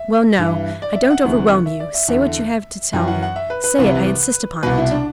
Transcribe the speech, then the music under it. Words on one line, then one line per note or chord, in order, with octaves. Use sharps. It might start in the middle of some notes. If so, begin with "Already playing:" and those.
"Well, no, I don't overwhelm you; say what you have to tell me--say it, I insist upon it."
Already playing: E5
G2 E3
D5
E5
F#5
D2 C3 E3
E5
D5
E5
E2 D3 E5
F#2 E3 G5
F#5
F#5
E5
B4
B4
C2 C3 E3
C2 B2 B4
E4
D4